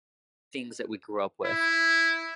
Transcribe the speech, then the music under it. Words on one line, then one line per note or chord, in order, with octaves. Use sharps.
things that we grew up with.
E4